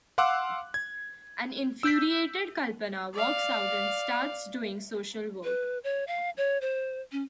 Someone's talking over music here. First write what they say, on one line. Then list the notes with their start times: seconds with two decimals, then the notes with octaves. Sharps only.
An infuriated Kalpana walks out and starts doing social work.
0.18 F5 F#5 C6 D6 E6 F#6
0.74 G#6
1.83 E6 G6 B6
3.13 D5 F5
5.44 B4
5.84 C#5
6.07 F5
6.37 C#5
6.61 C5
7.12 C#4